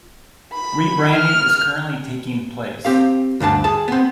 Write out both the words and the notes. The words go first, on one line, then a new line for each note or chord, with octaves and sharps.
Re-branding is currently taking place.
B5
F6
C4 G4 F5
D2 G2 D4 A5
G#4 A5
B3 C4